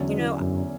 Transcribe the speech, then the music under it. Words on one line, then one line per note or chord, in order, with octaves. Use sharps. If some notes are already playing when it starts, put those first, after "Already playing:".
you know, I
Already playing: E2 D3 F#3 C#4 E4
G#3
E3
F#2